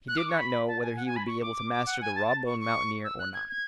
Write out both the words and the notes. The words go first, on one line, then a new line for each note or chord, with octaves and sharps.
He did not know whether he would be able to master the raw-boned mountaineer or not.
F#6
D6
C#6
B5
A5
G#5
F#5
G#5
B5
C#6
D6
D6
D6
F#5
G#5
A5
C#6
C#6
E6
F#6
G#6
G#6